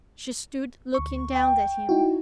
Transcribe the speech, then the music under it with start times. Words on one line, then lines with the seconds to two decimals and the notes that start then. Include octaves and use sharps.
She stood looking down at him.
0.94 D2 C#6
1.35 G5
1.89 D#4 E4 F#4